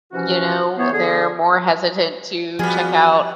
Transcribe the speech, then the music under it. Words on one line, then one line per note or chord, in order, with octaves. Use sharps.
you know, they're more hesitant to check out
C3 E3 F3 C#4 F#4
E3 B3 C5 C#5
D3 B3 G#4
F3 G3 B3 C4 F4 F#4 G#4 B5